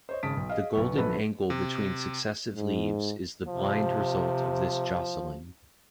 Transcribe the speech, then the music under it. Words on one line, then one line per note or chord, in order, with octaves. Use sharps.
The golden angle between successive leaves is the blind result of this jostling.
C5 C#5 D#5
G#1 C#3 A5 D#6 B6 D7
B1
G#4 D#5 F5
B1 B3 C#6
A#1 F#3 B3 A4 B4 B5
C3
G#2
C3 F3